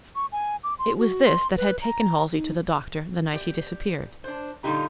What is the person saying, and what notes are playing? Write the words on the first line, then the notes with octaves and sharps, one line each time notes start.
It was this that had taken Halsey to the doctor the night he disappeared.
C#6
G#5
D6
C6
F#4
C6
B4
A#5
D#4
G4 D5
D4 C5
A#2 D3 G3 D#4 G4 A#5